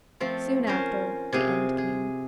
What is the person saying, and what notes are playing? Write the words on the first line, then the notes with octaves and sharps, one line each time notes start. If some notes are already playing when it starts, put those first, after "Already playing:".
Soon after, the end came.
F3 A3 C4
C#4 A#4 C5
C3 C4 G#4 F5
G#4